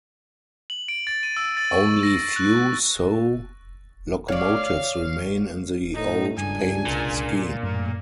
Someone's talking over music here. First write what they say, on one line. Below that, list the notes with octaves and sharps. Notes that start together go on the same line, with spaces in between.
Only few Soo locomotives remain in the old paint scheme.
F#7
D7
A6
D#7
E6
A6
C#6
A#6
F#6
C#5 D5 F5
A2 D#4
C#2 G2 D4 G#5
C2 A#2
F#2 A2 A#3